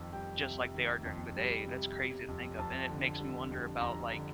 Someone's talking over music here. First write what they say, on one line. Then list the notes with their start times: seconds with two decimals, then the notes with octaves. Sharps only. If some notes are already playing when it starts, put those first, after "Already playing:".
just like they are during the day, that's crazy to think of, and it makes me wonder about, like,
Already playing: F2 D#3
0.13 G3 G5
0.43 C3
0.74 D#3
1.05 F2
1.36 G3
1.67 C3
1.96 G3
2.28 F2
2.59 F2 A5
2.90 D3
3.19 G3
3.51 F2
3.81 F2 A#5
4.13 D3